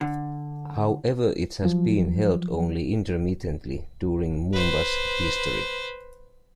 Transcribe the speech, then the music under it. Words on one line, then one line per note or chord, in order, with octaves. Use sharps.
However it has been held only intermittently during Moomba's history.
D3
F3 F#3
B4 C5